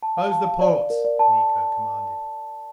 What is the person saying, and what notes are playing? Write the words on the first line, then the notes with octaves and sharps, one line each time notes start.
"Close the ports!" Miko commanded.
A5
F5
A5
F5
D5
D5
A#4
D5
A5